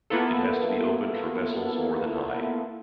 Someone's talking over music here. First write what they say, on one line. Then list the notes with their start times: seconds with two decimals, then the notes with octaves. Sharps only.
It has to be opened for vessels more than high.
0.10 A#3 B3 E4 F4 A4